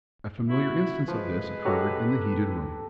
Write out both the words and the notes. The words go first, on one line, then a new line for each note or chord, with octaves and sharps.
A familiar instance of this occurred in the heated room.
E4 F#4
F3 G#3 B4
F#4 G4 A4 C#5 A#5 C#6